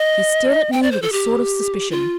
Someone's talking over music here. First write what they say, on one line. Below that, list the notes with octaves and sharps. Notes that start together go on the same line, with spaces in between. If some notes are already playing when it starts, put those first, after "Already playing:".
He stared at me with a sort of suspicion.
Already playing: D#5
G5
D5
C5
A4
G4
F4